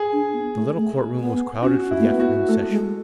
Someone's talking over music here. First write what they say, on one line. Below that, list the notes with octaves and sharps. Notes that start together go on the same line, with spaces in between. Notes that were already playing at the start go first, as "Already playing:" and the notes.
The little Court Room was crowded for the afternoon session.
Already playing: G#4
D4
B3
A3
A3
B3
C#4 F#4
E4
A3
B3
F#4
A3 A4
G#3